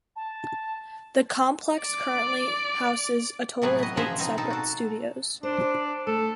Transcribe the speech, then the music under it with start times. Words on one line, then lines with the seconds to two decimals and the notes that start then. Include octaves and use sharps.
The complex currently houses a total of eight separate studios.
0.16 A5
1.81 D5
3.62 A2 C3 F#3 B3 G#4
3.79 B3 D#5
3.97 C#3 F3 G#4 C5 D#5 E5
4.19 B2 C4 D#4
4.38 D#4 A4
4.50 F#4 A4
5.43 D4 C5
6.07 A3 A4